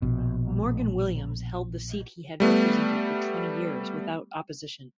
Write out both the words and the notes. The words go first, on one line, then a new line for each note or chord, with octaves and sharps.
Morgan Williams held the seat he had represented for twenty years without opposition.
A#1 B2
G3 A3 B3